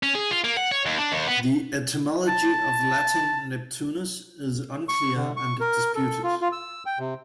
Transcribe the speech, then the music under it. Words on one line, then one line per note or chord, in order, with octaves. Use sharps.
The etymology of Latin Neptunus is unclear and disputed.
C#4
G#4
F4
A#3
F#5
C#5
D#2
D4
D#2
B3
A5
C#6
D3
C#6
A#4
A4
F4
F4
E6
G5
C3